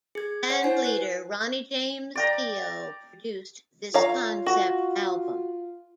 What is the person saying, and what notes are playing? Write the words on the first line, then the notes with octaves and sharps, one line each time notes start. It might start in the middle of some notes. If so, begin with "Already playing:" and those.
Band leader Ronnie James Dio produced this concept album.
G#4 G#6
C5 C#5 F#5
E4 C5 G#5 C7
B4
D5 G5 A#5
F4 C#5 F5 A#5
F#4